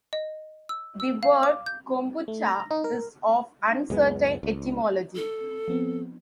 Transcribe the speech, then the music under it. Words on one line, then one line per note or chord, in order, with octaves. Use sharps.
The word "kombucha" is of uncertain etymology.
D#5
E6
E6
F5
D6
G6
A3
A#5
D#4
A#4
C#2 F#2 G#3 B3
C#2
A4
F3 B3 C4